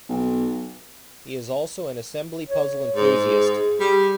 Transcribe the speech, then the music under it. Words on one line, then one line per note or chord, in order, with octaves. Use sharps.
He is also an assembly puzzle enthusiast.
B1
C#5
G#2 G#4
G3